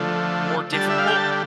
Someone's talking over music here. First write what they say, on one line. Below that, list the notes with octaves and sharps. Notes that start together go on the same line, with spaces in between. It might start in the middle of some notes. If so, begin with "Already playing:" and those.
more difficult.
Already playing: D3 F3 A3
D3 G3 A5
E5
F5
G5
A5